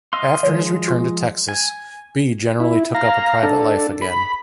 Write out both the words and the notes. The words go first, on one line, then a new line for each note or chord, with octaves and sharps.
After his return to Texas, Bee generally took up a private life again.
D#5 F5 C6 E6
D#3 F3 G#3 C#5
F4
G#5
E4
F5 A#5
D4 A4
B5